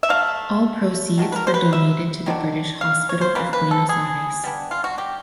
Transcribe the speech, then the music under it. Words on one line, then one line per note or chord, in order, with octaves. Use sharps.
All proceeds were donated to the British Hospital of Buenos Aires.
E5
F#3 A3 F5
D#3 F#3 A3
B4
A#4
C5
B4
E5
D#3 F#3 B3 D4
F5
C#5
C5
C#3 E3 G3 A#3 B4
B4
A4
G#4
G3 B3 D4
F4
F#4
G4